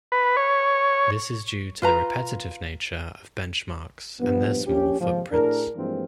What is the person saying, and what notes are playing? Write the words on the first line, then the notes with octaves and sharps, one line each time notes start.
This is due to the repetitive nature of benchmarks and their small footprints.
B4
C#5
F4 B4 A#5
G2 A#2 F3 B3
A#1 C#4 G4
D#2 G#2 C3 F3
A2 D4 G#4 A#4
G2 E3 F3 G#3 A#3 C4